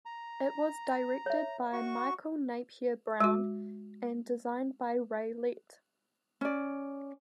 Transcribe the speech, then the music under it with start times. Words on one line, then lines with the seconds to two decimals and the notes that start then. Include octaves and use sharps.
It was directed by Michael Napier Brown and designed by Ray Lett.
0.05 A#5
1.26 C#5 E5
1.73 F#4 C#6
3.20 G#3 F#4
6.41 C#4 D5